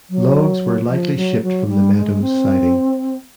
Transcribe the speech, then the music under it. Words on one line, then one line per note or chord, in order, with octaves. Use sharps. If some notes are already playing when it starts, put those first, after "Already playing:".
Logs were likely shipped from the Meadows siding.
F#3
F3
F#3
F#3
G3
G#3
C4